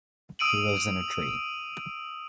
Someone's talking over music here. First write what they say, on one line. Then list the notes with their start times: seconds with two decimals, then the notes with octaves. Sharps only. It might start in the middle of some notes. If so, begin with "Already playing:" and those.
He lives in a tree.
0.39 D#6 E6 D7 D#7 F#7